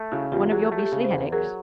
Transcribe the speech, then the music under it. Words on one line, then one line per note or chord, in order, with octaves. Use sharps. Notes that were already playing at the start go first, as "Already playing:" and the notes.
One of your beastly head-aches.
Already playing: A3
C#3 E4 F#4
E2 F4 G4
F#3 F#4 G#4
A3
G4 A4
C#3
C5
E2
B4
F#3 G#4 A#4